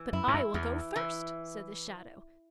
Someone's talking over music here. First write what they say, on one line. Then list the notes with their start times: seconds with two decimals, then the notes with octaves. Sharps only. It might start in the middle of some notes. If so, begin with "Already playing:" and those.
"But I will go first!" said the shadow.
Already playing: E3
0.13 F#2 E4
0.28 G#2
0.34 F#2
0.54 E2 E3
0.96 E3